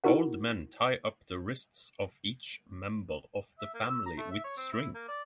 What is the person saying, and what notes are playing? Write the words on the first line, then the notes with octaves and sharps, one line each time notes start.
Old men tie up the wrists of each member of the family with string.
D#4 E4 F#4 A#4 F#5
E5
A#3
E6
A#5
A3
E5
C#5
C4
E4
A#3
D5